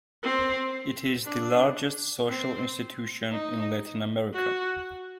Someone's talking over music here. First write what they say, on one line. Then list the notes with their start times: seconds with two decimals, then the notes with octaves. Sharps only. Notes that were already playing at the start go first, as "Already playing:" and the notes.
It is the largest social institution in Latin America.
0.23 C4
1.26 D4
2.28 C4
3.31 D#4
4.34 F#4